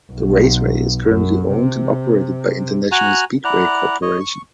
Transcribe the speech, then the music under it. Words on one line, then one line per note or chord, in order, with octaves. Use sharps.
The raceway is currently owned and operated by International Speedway Corporation.
B1
F#2
C3
F#4 F#5 G#5 A#5
E4 D5 F#5 A#5
C#5 D#5
C#6